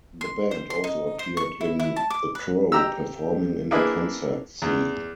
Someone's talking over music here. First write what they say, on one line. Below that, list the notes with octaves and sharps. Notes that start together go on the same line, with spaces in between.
The band also appeared in "The Crow" performing in a concert scene.
C6
C5
C6
D#4
C5
C#6
E4
E4
A5
D6
B4
G4 A#5 E6
A#3 D4 E4 G#4 B4
E2